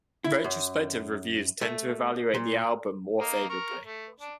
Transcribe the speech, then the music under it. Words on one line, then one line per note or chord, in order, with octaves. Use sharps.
Retrospective reviews tend to evaluate the album more favorably.
E4
F#2
A3
A#2
A#3 D#4
A#4 C#6
A3
D4